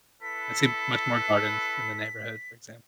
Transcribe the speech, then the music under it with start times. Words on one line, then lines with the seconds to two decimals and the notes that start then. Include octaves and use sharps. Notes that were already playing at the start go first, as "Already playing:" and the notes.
I see much more gardens in the neighborhood, for example.
0.22 E4 A4 B4 B6